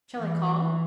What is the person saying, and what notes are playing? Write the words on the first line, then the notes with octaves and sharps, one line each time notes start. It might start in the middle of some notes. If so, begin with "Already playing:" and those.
"Shall I call?"
E3